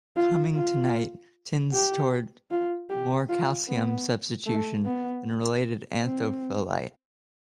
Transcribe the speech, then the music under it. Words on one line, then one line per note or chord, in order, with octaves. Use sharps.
Cummingtonite tends toward more calcium substitution than related anthophyllite.
F4
F4
G4
F4
G4
F4
B3
A3
B3
C4